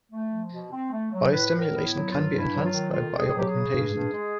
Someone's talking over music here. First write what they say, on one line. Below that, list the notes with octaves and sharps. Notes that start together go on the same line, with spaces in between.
Biostimulation can be enhanced by bioaugmentation.
A3
F3
B2
C4
A3
F#3
A2 B4
A2
A#4
B3
E4
F#3
G2 F4
G2
E4
F#3
F4
D#3
F2 F4
F2
G#4
F#3
G4
G#4
C#3
G2
G2
G#3